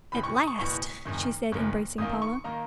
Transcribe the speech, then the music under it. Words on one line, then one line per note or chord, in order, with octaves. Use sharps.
"At last," she said, embracing Paula.
F#1 E2 B2 B5
C#6
D#6
C#6
F#1 E2 B2 C#6
F#1 F#2 D#3
F#1 F#2 D#3
F#2 D#3 A#3 D#4 D#6
C#6
D#3 A#3 D#4 A#5